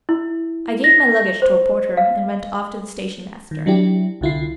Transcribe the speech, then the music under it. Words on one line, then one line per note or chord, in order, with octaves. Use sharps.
I gave my luggage to a porter and went off to the station-master.
E4
A#6
C5
F5
D#3
F#3 D4 E4 G4
C2 D3 E4 F4 C7